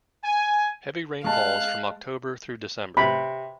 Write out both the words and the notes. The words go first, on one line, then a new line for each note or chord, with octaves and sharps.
Heavy rainfalls from October through December.
G#5
G#3 F5 A5 F#6
C3 B5